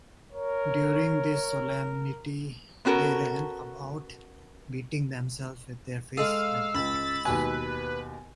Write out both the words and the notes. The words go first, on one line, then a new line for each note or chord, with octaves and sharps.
During this solemnity they ran about, beating themselves with their fists and with rods.
A#4 C#5
B3 C#4 F#4 A4 A#4
G#3 A4 F5 D#6 E6
C#2 B5 A6
D#2 B2 B4 G#5